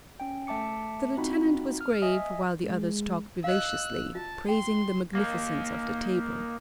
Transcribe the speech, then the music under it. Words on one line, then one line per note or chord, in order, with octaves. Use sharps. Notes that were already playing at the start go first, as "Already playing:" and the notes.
The lieutenant was grave while the others talked vivaciously, praising the magnificence of the table.
C#4 G5
A3 E5 A5 D6 C#7
C4 D#4 F4 F#4 B5
F6
D#5 E5 G#5 D#6
G#3
D#5 F5 E6 F#6
F4 A5
G5 C6
A#3 D#4